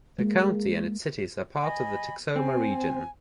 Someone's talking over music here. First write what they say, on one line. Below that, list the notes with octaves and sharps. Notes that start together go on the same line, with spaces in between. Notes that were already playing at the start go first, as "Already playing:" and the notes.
The county and its cities are part of the Texoma region.
G#3 A#3
D#5 G#5 B5
C4 G#5